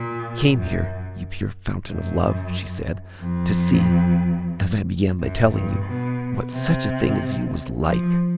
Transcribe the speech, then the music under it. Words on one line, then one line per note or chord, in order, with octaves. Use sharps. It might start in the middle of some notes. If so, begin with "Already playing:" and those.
'I came here, you pure fountain of love,' she said, 'to see--as I began by telling you--what such a thing as you was like.
Already playing: A#2
F#2
F#2
F2
F#2
G2
B2
C3
F3